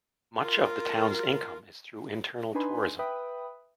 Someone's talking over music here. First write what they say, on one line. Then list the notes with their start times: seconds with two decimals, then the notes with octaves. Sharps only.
Much of the town's income is through internal tourism.
0.40 F4 A#4
2.55 D4 D#4 B4 G#5 B5 C6
2.99 B4 E5 G5 B5 D#6